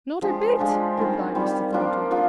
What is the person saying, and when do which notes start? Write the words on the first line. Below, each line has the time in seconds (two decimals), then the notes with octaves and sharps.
'Not a bit,' replied Mr. Thornton.
0.22 F3 G#3 D4 G4
0.59 F3 G#3 D4 G4
0.97 D#3 G3 C4 F4
1.35 D#3 G3 C4 F4
1.73 F3 A#3 D4 F4
2.11 F3 A#3 D4 F4